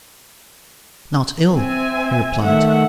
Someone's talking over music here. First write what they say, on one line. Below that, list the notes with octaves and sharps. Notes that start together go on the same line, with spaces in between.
"Not ill," he replied.
C4 E5 G#5
D#3 A3 E5 F#5